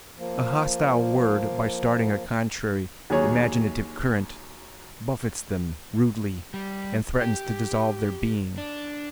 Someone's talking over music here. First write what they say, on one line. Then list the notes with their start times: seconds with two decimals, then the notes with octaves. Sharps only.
A hostile word, by starting a contrary imaginative current, buffets them rudely and threatens to dissolve their being.
0.18 F3 A#3
3.10 D#2 F#3 G#4 C#5
6.54 G3
7.21 G4
8.58 D4